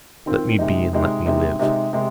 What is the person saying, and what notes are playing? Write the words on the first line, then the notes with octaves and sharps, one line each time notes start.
Let me be and let me live.
D#3 C4 F4
C3 G#3 D#4
C3 G#3 D#4
C3 G#3 D#4
C3 G#3 D#4
C3 G#3